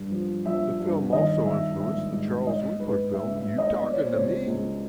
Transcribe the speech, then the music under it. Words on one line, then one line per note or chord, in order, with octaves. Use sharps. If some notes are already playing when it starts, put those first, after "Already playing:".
The film also influenced the Charles Winkler film You Talkin' to Me?
Already playing: G2
F3
F3 E5
G2
D#3 D#5
D#3 E5
G#2 E5
G#2
G#2 D#5
G#2 B4
G#2 E5
E5
G#2
D#5
B2 D5
C#5
C5
C#2 C#5
C#2